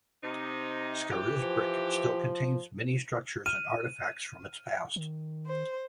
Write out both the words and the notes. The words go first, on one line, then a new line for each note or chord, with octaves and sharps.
Scarisbrick still contains many structures and artefacts from its past.
C3 D#4
E3 G4
F3
F6 D#7
D#3
C5